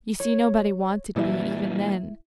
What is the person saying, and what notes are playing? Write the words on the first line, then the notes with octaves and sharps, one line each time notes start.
You see, nobody wanted me even then.
C#5
A#2 E3 G3 E4 E5